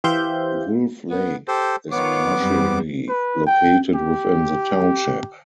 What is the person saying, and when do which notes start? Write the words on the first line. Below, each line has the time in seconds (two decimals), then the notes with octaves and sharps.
Wolf Lake is partially located within the township.
0.04 E3 G4 C5 E5 F5 G6
1.10 B3
1.48 G4 A4 C5
1.92 D#3 B3 F4 C#5 D6
2.37 F#2 G3 C4
3.09 B4
3.46 G5
3.95 G4